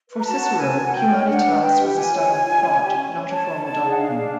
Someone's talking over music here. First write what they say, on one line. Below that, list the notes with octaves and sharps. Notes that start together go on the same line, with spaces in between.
For Cicero, "humanitas" was a style of thought, not a formal doctrine.
B4
A#5
F#4 A5
B4
A#4 G#5
A#4
F#5
F#4 G5
C#5
D4 F#5
B4
B4 G5
G4
F4 G#5
C#5
F4
F4
C#4
G4
C#4
C#4
C#5 A5
C#5
D#4 A5
G#4
F#5
D4 F5
D4